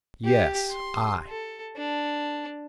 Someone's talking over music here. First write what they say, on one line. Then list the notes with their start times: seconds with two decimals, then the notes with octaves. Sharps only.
"Yes, I."
0.25 G4
0.71 C6
1.28 A4
1.77 D4